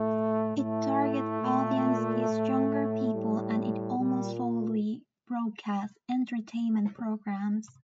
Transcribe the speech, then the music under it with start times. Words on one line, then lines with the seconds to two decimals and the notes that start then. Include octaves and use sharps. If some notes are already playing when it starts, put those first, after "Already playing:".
It target audience is younger people and it almost solely broadcasts entertainment programmes.
Already playing: A2 A3
0.56 A2 A3
1.42 A#2
2.28 A2
3.13 A2 G3
3.99 A#2 G3